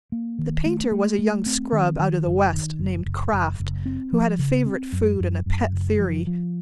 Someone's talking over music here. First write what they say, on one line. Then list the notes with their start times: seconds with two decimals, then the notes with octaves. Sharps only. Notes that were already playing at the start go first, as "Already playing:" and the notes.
The painter was a young scrub out of the West named Kraft, who had a favourite food and a pet theory.
0.12 A#3
0.39 D#3
0.66 A3
0.92 A3
1.19 A3
1.46 C4
1.72 D#3
1.99 D#3
2.26 F#1
2.53 D#3
2.79 F#1
3.06 F#1
3.33 F#1
3.60 F#1
3.86 C4
4.13 F3
4.39 C#3
4.66 C4
4.93 F#2
5.20 F#2
5.46 F#2
5.73 F#1
6.00 F3
6.27 F3